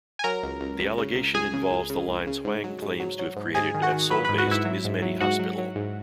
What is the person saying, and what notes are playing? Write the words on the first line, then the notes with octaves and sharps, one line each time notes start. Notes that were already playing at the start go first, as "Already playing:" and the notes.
The allegation involves the lines Hwang claims to have created at Seoul-based MizMedi Hospital.
G#5
F#3 A#4 A#5
C#2
C#2
C#2
C#3
C#2
C#2 G#4 G#5
C#3
C#2
C#3
C#2
C#3
G#2
F#3
G#2
F#3
F#3
G#2
G#2 G#4 G#5
D#3
F#4 F#5
D#3
F#3 B4 B5
G#2 B4 B5
F#4 F#5
G#2 E4 E5
F#3
G#2
F#3
G#2 F#4 F#5
F#3
F#3
G#2